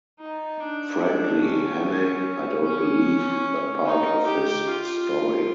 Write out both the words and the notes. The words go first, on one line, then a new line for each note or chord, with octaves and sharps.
Frankly, Hannay, I don’t believe that part of his story.
D#4
D4
D4
C#4
C#4
D#4
G4
F4